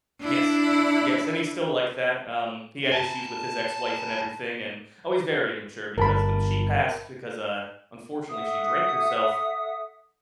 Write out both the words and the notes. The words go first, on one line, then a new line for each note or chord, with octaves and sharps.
Yes. Yes, and he's still like that, um, he had issues with his ex-wife and everything and oh, he's very immature because when she passed because, uh, unfortunately, she drank herself,
D4 E4
G#5 A5
G1 A#4 A5 B5
A4 E5 F#5 D#6